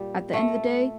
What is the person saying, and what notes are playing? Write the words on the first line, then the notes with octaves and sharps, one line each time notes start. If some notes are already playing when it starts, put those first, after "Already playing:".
at the end of the day,
Already playing: A#2 G3
A3